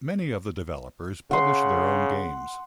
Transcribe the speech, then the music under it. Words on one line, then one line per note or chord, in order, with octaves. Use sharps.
Many of the developers publish their own games.
C#3 F#5 C6